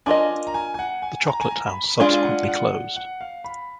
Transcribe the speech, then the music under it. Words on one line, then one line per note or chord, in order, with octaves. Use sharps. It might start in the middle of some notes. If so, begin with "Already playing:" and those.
The Chocolate House subsequently closed.
D4 F4 A#4 D#5 G#5
A#5
G#5
G#5
F#5
G#5
A#5
G#5
A#5
B5
B5
G#3 D4 F4 G#4 F5
F#5
F5
F#5
F#5
F5
B5